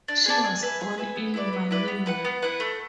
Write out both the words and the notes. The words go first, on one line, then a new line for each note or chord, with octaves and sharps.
She was born in Manila.
D4
G#4 D5 A5
G#4
B4 E5 G#5
G#4
B4 E5 G#5
B3
E4 B4 D5
B3
E4 B4 D5
B3
E4 B4 F#5
B3
E4 B4 F#5
A3